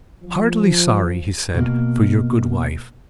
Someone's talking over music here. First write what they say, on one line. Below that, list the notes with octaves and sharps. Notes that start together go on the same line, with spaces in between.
'Heartily sorry,' he said, 'for your good wife.
F3
B2 A#3